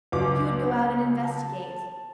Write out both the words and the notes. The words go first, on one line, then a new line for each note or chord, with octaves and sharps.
He would go out and investigate.
C#2 F#3 D6
A5